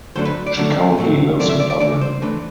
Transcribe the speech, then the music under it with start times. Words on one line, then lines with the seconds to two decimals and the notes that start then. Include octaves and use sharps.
She currently lives in Dublin.
0.16 D3 F#3 A3 D4 C5
0.25 B4
0.47 D5
0.57 D3 F#3 A3 D4
0.98 A2 F#3 A3 C4
1.39 A2 F#3 A3 C4 D5
1.49 E5
1.60 D5
1.70 D5
1.80 E3 A3 D4 D5
2.01 C5
2.22 E3 A3 D4 B4